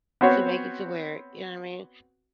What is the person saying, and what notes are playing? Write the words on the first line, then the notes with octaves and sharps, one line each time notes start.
to make it to where you know I mean?
B3 C4 F#4 C5 C#5